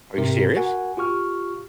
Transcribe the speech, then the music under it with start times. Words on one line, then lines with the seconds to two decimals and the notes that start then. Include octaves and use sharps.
Are you serious?
0.17 G#2 C3 A#4
0.56 F#4 A#4 F#5 G#5
0.97 F4 G4 C#6 F6